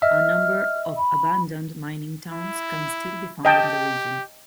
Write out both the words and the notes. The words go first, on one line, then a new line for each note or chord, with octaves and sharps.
A number of abandoned mining towns can still be found in the region.
D#5 E5 F6
B5
E4
G4 D#5 G5 A5